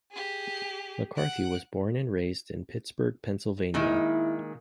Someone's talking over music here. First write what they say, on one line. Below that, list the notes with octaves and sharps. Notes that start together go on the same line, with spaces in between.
McCarthy was born and raised in Pittsburgh, Pennsylvania.
G4 G#4
F#5 D7
A#2 D#3 G#3 E4